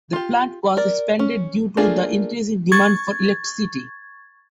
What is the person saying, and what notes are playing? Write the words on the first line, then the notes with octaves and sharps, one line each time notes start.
The plant was expanded due to the increasing demand for electricity.
F4 G4
A#4 D5
C#4
A3 A#3 D4 F4 G#4
C#6 G#6 A6